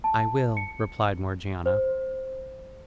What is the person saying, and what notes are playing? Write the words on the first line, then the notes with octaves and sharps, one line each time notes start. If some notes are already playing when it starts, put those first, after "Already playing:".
"I will," replied Morgiana.
A5
C#7
C5